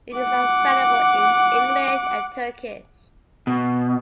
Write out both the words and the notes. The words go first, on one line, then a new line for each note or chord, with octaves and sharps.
It is available in English and Turkish.
F#5 D6
B2